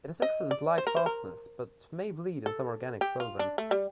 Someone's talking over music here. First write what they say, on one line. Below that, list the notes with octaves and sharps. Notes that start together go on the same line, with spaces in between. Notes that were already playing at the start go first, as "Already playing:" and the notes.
It has excellent light fastness, but may bleed in some organic solvents.
D#5
D5
C5
A#4
C5
A#4
A4
G4
F4
D4
A3
G3